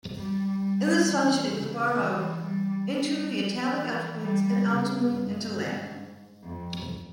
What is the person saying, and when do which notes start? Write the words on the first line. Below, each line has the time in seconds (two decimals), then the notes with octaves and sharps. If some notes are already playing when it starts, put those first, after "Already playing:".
In this function, it was borrowed into the Italic alphabets and ultimately into Latin.
0.17 G3
0.62 G3
1.06 E3
1.51 C#3
1.95 E3
2.41 G3
2.86 G3
3.30 F3
3.74 E3
4.19 G3
4.64 C#3
5.08 G2
5.53 G#2
6.43 F2